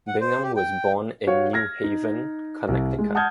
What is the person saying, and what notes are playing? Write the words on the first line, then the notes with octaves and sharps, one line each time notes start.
Bingham was born in New Haven, Connecticut.
F#5
C5
G4
G5
F#4 C#5 F5
F6 G#6 A#6
D#4
C2
G#3
F#5 A5 D#6 F6 G6 G#6